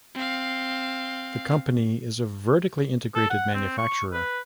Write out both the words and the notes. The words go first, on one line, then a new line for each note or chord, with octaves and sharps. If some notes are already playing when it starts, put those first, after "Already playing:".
The company is a vertically integrated manufacturer.
C4 F5
A4
F#5
C4
C#6
B4